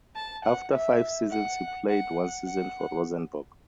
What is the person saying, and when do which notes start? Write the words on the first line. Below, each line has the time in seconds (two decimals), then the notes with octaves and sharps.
After five seasons he played one season for Rosenborg.
0.16 A5
0.45 F#5
0.74 E5
1.31 F#5
1.89 F#5
2.46 F#5